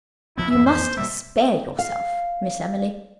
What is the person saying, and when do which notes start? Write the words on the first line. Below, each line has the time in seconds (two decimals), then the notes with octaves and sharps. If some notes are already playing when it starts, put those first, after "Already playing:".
You must spare yourself, Miss Emily.
0.38 D2 F3 B3 E4
0.50 F2 A2 E3 E5
0.66 C5
0.97 B2 G3 A#3 E5
1.79 F5